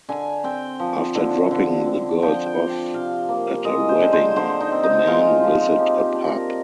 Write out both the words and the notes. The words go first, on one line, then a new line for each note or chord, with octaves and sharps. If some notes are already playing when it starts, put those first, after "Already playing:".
After dropping the girls off at a wedding, the men visit a pub.
D3 G#5
C4 G5
F3
D3
D3
C4
F3 G5
G5
D4
G5
C3 F5
A#3
G#3 D#5
C5
D3
C5
D3 C5
D#4
C4
D#4
G#3 F4
F3
F3 G4
D4
A#4